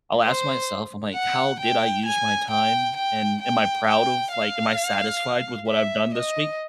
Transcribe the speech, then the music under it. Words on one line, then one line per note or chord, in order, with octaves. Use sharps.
I'll ask myself, I'm like, "How did I use my time?" And, "Am I proud of, like, am I satisfied with what I've done this week?"
C5
F#5
G5
G#5
G5
G5
G5
G5
F5
E5
D#5